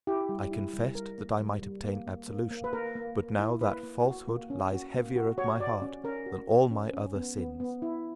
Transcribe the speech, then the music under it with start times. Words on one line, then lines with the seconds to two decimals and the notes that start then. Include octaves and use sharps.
I confessed, that I might obtain absolution; but now that falsehood lies heavier at my heart than all my other sins.
0.07 E4 G4
0.29 G3
0.51 E4
0.74 G3
0.95 G3 A#4
1.18 A#3
1.39 G3
1.62 G3
1.84 A#3
2.07 A#3
2.28 A#3
2.51 A#3
2.64 B4
2.73 A#3 A#4
2.95 A#3
3.17 A#3
3.39 E4
3.61 A#3 B4
3.84 A#3
4.05 F#4
4.28 A#3
4.50 C#4
4.72 F#4
4.94 A#3
5.16 F#4
5.38 F#4 C#5
5.60 F#4 D5
5.82 C#4
6.04 C#4 A#4
6.26 F#4
6.49 F#4
6.71 C#4
6.94 C#4
7.16 B3
7.37 B3
7.60 B3
7.82 E4